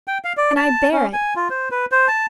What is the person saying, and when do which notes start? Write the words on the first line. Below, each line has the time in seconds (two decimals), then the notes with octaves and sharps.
And I bear it!
0.08 G5
0.25 F5
0.37 D5
0.56 A5
0.93 C#4
1.13 G#5
1.36 F4
1.50 C5
1.71 B4
1.92 C5
2.08 A5